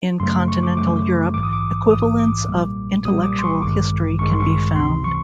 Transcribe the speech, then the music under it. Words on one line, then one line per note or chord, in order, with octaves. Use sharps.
In continental Europe, equivalents of intellectual history can be found.
F#2 C#3 F#3 A3 C6
C#6
D6
F#2 C#3 F#3 A3 D6
A#1 G#2 E3 D6
D#6
D6
A#1 G#2 E3 D#6
D6
B1 A#2 G3 A#3
B1 A#2 G3 A#3 D#6
D6
C6
C#6
A1 G2 D#3 G#3 D6
A1 G2 D#3 G#3 C#6
C6
C#6
C#2 C3 E3 C6
C#6